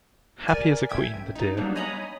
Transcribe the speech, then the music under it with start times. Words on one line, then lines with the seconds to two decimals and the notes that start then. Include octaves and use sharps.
Happy as a queen, the dear!
0.48 A#4 D5 G#5
0.89 E5 G5 G#6
1.14 A1
1.36 D#4
1.57 F#3 G3 A#3 B3 D4 D#4
1.75 C#5 D#5 G#5 A#5 B5 D#6